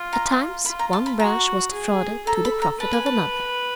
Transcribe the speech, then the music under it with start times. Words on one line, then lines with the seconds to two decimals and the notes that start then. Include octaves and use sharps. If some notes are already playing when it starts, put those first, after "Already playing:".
At times one branch was defrauded to the profit of another.
Already playing: F4
0.13 A#5
0.66 F4 B5
0.79 A#5
0.93 A5
1.06 B5
1.20 F#4 A#5
1.73 G#4
2.26 A4 A#5
2.45 B5
2.62 A#5
2.80 B4 A5
2.93 G#5
3.06 A5